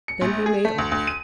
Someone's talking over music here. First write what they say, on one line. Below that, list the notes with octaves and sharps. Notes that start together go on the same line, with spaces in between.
Then he made off.
C#7
A#1
G#4
A3
D2
D2
D#7